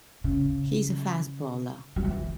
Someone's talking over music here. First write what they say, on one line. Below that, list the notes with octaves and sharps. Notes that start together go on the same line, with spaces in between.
He is a fast bowler.
C#3
F#3
E3